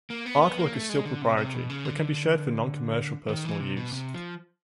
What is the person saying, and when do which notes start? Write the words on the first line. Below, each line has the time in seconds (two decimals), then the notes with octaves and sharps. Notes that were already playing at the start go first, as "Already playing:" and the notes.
Artwork is still proprietary but can be shared for non-commercial, personal use.
0.10 A#3
0.26 B3
0.42 B3
0.58 A#3
0.74 A3
0.89 G#3
1.05 D3
1.22 C3
1.37 C3
1.54 B2
1.70 C#3
1.85 D3
3.29 D#3
3.45 E3
3.60 C3
3.77 B2
3.93 C3
4.14 F3